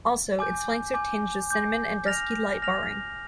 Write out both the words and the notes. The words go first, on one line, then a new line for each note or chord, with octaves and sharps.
Also, its flanks are tinged with cinnamon and dusky light barring.
G#5 D6 G6
G#5 D6 G6
G#5 D6 G6
F6 A#6 F7
F6 A#6 F7